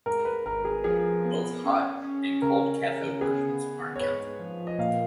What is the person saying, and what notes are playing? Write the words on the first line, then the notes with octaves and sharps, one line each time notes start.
Both hot- and cold-cathode versions are encountered.
G#2 A#4
B4
G#1 A#4
G#4
F3 G#4
B3
C#4
C#4
C#3 A#4
C#3
B3 G#4
B3
C#5
G#2 B4
F3
D#5
A#2 F5